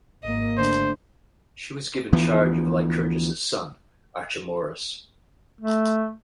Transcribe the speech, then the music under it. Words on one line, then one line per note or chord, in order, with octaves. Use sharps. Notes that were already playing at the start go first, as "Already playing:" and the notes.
She was given charge of Lycurgus's son, Archemorus.
G#1 A#3 D#5
D3 A3 C5
D2 E3 F3 B3
A3